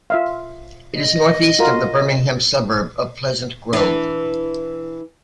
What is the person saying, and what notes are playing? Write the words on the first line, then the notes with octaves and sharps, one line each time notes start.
It is northeast of the Birmingham suburb of Pleasant Grove.
F4 E5 F5
D#5
F4 F#4 A#4
E3 D4